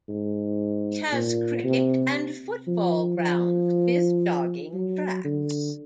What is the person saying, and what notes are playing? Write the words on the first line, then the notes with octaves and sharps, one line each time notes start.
It has cricket and football grounds with jogging tracks.
G#2
A#2
C3
F3
F3
F#3
D3